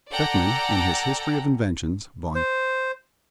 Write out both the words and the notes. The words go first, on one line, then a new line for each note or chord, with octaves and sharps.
Beckmann, in his History of Inventions, Vol.
A4 D5 F#5 G5 A#5
C5